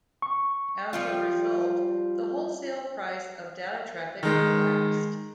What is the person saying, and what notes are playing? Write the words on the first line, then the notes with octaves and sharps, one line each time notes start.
As a result, the wholesale price of data traffic collapsed.
C#6
F3 G3 F4
D#3 G#3